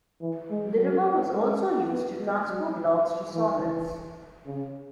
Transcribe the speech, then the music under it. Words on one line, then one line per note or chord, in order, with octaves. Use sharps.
The river was also used to transport logs to sawmills.
E3
G#3
F#3
G#3
B3
G#3
F#3
E3
E3
E3
C#3